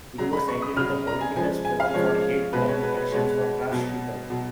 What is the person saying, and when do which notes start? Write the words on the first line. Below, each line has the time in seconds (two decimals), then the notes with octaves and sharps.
It was cited in the political struggle for hate crime protections for trans people.
0.18 C#3 F#3 A#5
0.33 B5
0.48 C#6
0.62 D#6
0.77 C#3 F#3 F6
1.07 A#5
1.21 G#5
1.35 C#3 F3 G#3 G#5
1.65 G#5
1.80 F5
1.94 C#3 F3 G#3 C#5
2.53 B2 G#3 B4
2.69 C#5
2.83 B4
2.97 B4
3.12 B2 G#3 C#5
3.71 B2 F#3
4.30 B2 F#3